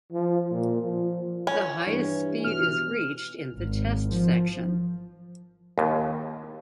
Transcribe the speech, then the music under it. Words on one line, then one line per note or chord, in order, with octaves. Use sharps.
The highest speed is reached in the test section.
F3
A#2
F3
C#4
G2 E3
B2 F6
G#1
F3
D#2